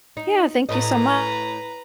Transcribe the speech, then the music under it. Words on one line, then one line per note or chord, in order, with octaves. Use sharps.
Yeah, thank you so much,
D#4
A2 B4 D#5 A#5